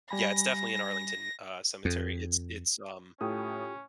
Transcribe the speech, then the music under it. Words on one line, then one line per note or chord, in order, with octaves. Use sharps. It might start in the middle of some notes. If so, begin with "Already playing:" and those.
Yeah, it's definitely in Arlington, uh, Cemetery, it's it's, um
G3 G#5 B5 A#6
F2
A2 C#4 F4 G4 A4 G5 D#6